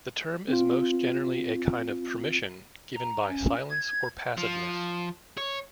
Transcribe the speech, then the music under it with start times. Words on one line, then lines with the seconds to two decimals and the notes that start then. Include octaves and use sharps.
The term is most generally a kind of "permission" given by silence or passiveness.
0.48 C4 F4
2.96 A#5
3.28 C#4
3.71 G#6
4.38 F3
5.38 C#5